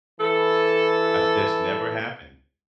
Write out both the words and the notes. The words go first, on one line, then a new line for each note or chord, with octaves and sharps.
I've That's never happened.
E3 A4